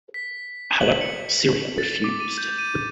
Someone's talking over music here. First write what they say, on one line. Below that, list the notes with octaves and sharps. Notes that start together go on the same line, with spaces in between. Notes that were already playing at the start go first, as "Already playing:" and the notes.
However, Syria refused.
B6
F#7
C#7
A6
D6
D#7
G6
D#7